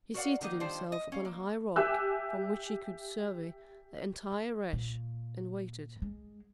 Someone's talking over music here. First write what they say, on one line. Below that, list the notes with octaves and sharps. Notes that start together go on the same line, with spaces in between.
He seated himself upon a high rock, from which he could survey the entire Reche, and waited.
F#4 A#4 C#5 D5 F5 F#5
D#3 A#3 D#4 D#5
D#3 F3 G3 D4 F4 C5
D#5
C#4 F5
A#3
G4 E5 G#5 E6 F#6
A#2
G#3